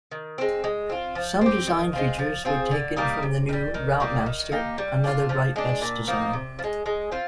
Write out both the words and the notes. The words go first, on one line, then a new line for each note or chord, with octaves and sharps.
Some design features were taken from the New Routemaster, another Wrightbus design.
D#3
G#3 C4
G#3
C4 F4
F3
C4 G4
D#3
G#3 C4 F4
F3
C4 F4 G#4
D3
G3 A#3 D#4
C3
D#3
G3
D#3
G3 A#3 D#4
D#3
A#3 D#4 G4
G3
D4 F4
F3
G#3 D4
A#2
F3 A#3 D#4
C3
F3
G#3
G#3
C4 F4